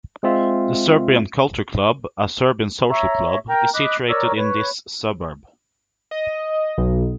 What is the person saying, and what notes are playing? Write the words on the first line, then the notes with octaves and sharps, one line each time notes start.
The "Serbian Cultural Club", a Serbian social club, is situated in this suburb.
G#3 C4 F4 E5
C#5 E5 A#5
A#4 G5 A#5
D#5 B5 D6 F#6
A#4 C#5 D5 A#5 E6
B4 C#5
D#5
B1